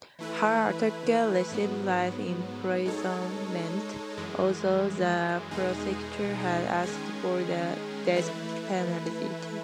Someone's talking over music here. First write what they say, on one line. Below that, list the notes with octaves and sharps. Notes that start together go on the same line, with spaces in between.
Her attacker received life imprisonment, although the prosecutor had asked for the death penalty.
E3 A3 E4 B4
G#2 F#3 B3
G#3 D#4 A4 C#5
F#2 E3 G#3
E2 B2 G#3 D#4 G#4
D#3 G#3 C#4 G#4
E3 A3 E4 B4